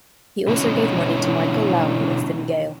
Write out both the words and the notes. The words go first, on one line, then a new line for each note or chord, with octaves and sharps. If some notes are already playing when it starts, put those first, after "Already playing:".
He also gave money to Michael Lowry of Fine Gael.
B2 D3 E3 G#3 C4 C#4